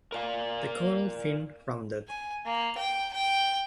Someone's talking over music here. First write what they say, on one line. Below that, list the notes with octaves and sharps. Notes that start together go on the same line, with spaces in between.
The caudal fin rounded.
A#4 D5 F5
G#5
A#3
G5
G5